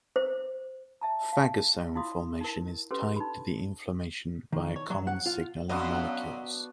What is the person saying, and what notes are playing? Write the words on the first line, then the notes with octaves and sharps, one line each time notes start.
Phagosome formation is tied to inflammation via common signalling molecules.
C5
E5 A5 A#5
F5 A5
E4 F4 F5 C6 D#6
D#4 E4 A#4
C#4 G4 A4 B4 C#5 C6
D#4 B5
D#3
C#5
F#3
F#5
F4
F#2 B3 D4 F#4 D#5 F5 F#5